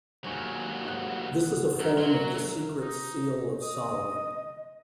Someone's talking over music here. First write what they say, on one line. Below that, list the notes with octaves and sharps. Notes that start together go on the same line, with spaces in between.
This is a form of the 'Secret Seal of Solomon'.
D#2 G#2 F#3 G#5 C#6
G#2 F#5
F#2 A#4 E5
F#3
D#4
D#5 D#6